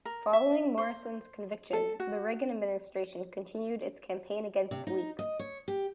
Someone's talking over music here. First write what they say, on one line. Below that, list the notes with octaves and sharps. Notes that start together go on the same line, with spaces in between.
Following Morison's conviction, the Reagan administration continued its campaign against leaks.
A#4
E5
C5
A4
F#4
C3
D#4
D#5
C#5
G4